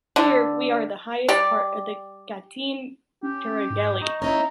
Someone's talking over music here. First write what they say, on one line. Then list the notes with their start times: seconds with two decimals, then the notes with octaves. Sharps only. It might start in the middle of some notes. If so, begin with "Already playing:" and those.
Here, we are in the highest part of the Gâtine Tourangelle.
0.16 D3
1.28 G3 G4 D5
3.23 C#4 G4
3.70 G#2
4.01 D#4 C#6
4.22 C#4 D#4 E4 A#5